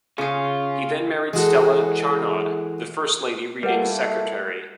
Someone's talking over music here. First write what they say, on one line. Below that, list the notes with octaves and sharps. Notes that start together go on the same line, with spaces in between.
He then married Stella Charnaud, the first Lady Reading's secretary.
C#3 C#4 F4 G#4
E3 G#3 F#4 A4
G3 A3 A#3 E4 A#4 B4 F#5